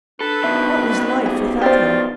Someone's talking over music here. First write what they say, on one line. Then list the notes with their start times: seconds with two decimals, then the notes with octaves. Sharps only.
What was life without her?
0.21 D4 A4 B4
0.44 B2 D#3 E5
1.26 G4 G#4
1.61 F4 G4 C5 D5